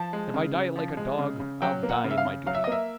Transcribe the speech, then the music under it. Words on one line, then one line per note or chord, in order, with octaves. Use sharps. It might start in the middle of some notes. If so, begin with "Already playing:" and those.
If I die like a dog, I'll die in my dooty.
Already playing: F3 A5
G#3
C#3
C#3
F3
G#3
C#3
C#3
F#3 G5
A#3
F#5
C#3
E5
F5
C#3
F#3 F5
E5
D#5
A#3 E5